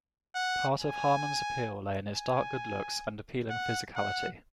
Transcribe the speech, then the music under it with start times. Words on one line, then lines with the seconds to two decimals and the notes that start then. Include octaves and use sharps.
Part of Harman's appeal lay in his dark good looks and appealing physicality.
0.35 F#5
0.81 G#5
2.15 G#5
3.50 F#5
3.96 F#5